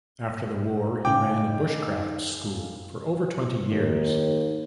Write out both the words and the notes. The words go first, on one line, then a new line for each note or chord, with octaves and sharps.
After the war he ran a bushcraft school for over twenty years.
C#3 D#4 G5 D6
D#2